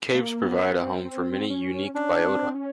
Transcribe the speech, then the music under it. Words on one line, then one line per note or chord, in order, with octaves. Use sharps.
Caves provide a home for many unique biota.
A#3
B3
C4
C4
C#4
C#4 D4
C4
C#4